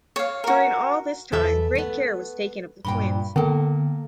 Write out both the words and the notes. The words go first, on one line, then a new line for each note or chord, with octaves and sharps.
During all this time great care was taken of the twins.
C#5 F5
F#4 A#4
E2 A4 E5
A3 B3
G2 A#2 G5 B5
D3 A#3 B3 A4